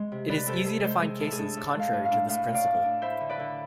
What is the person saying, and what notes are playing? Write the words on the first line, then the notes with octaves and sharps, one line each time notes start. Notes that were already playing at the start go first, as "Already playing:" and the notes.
It is easy to find cases contrary to this principle.
Already playing: G#3
C3
G#3 B4 D5
C3 A4 C5
G#3 A4
G#3 A4 C5
G#3 G#4
A2 A4
G#4
D4 A4
A2
G#3 F5
A2
F5
D4
A2 F5
A2
D5 F5
D4
D4
E4 C5 E5
D3
B4 D5
D3